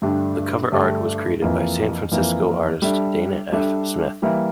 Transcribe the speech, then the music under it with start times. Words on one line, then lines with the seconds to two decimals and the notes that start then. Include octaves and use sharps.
The cover art was created by San Francisco artist Dana F. Smith.
0.02 G2 D3 A3 D4 G4
0.72 G2 D3 A3 D4 G4
1.42 F2 E3 A#3
2.12 F2 E3 A#3
2.82 G3 D4 A4 E5
3.52 G3 D4 A4 E5
4.22 E3 G3 A#3 E4